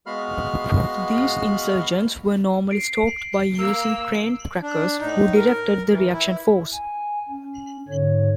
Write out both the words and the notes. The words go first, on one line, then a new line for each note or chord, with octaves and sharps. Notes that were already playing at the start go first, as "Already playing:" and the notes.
These insurgents were normally stalked by using trained trackers, who directed the reaction force.
G#3 B3 F#4 F5 B5 F6
C7 D7
A#3 E6
D4
A2 D#4
A#4
E3
E4
G#5
C#4
G#2 D3 C#5